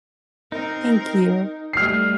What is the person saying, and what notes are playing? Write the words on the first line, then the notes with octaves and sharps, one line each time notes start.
thank you.
C4 D#4 A#4
G3 A3 F6 C7